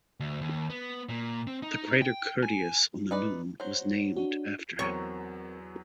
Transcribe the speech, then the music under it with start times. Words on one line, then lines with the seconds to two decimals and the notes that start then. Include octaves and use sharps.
The crater Curtius on the Moon was named after him.
0.20 D2
0.41 D#2
0.70 B3
1.09 A#2
1.47 C4
1.63 D#4
2.02 G5
2.43 G#5
3.11 D#4 B4 D5
3.60 F#3 C5
4.16 D4 F#4
4.79 E2 F#3 C4 A#4 C#5